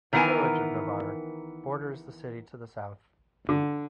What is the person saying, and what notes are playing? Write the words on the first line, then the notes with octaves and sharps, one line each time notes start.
The village of Navarre borders the city to the south.
D#3 E3 B3 A#4 G#5
D3